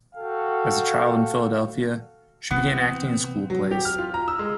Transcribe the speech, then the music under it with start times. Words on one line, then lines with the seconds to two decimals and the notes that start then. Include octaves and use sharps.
As a child in Philadelphia, she began acting in school plays.
0.16 F#4 A4 F5 G5
2.51 C3 E3 B3 C4 F#5
3.50 F#3
3.71 G4
3.85 F6
3.98 F4
4.14 A#5
4.28 E6
4.39 G#3